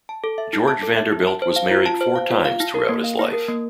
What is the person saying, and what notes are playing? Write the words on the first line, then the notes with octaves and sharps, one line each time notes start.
George Vanderbilt was married four times throughout his life.
A5
A4
E5
E4
A5
A4
E5
E4
A5
C5
F5
F4
A5
C5
F5
F4
F5
E4
A#4
A#3
F5
E4
A#4
A#3